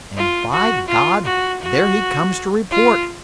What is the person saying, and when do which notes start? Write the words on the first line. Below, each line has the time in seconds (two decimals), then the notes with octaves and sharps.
"And by God, there he comes to report!"
0.17 F4
0.53 F#4
0.89 F4
1.26 F#4
1.62 F#4
2.71 F4